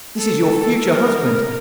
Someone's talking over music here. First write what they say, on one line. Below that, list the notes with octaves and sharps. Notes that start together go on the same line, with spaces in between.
'This is your future husband.
A4
A#4
A#4